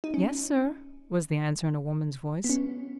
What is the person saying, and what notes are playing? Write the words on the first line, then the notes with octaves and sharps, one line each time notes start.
"Yes, sir," was the answer, in a woman's voice.
D#4
C#4
B3
C#4